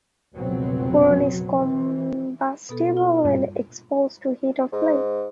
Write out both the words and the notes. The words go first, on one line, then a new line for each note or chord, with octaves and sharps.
Phorone is combustible when exposed to heat or flame.
F1 C#2 B2 F#3 B3 C4
E3
B2 B3 A4
F4
G2 A#2
G#2